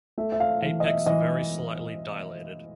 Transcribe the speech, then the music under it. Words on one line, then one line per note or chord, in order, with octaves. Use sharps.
Apex very slightly dilated.
A3 E5
E5
F5
E3 F5
D#5
E5
E3 D#5